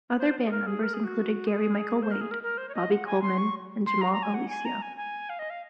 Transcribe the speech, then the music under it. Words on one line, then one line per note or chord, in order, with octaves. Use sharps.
Other band members included Gary Michael Wade, Bobby Coleman and Jamal Alicea.
C5
G#4
A#4
G#4
A#4
G#4
F#4
G#4
C5
A#4
G#4
A#4
A#4
C5
C#5
D#5
F#5
G#5
C6
C#6
C6
A#5
A#5
G#5
F#5
G#5
A#5
G#5
G#5
F5
D#5
F5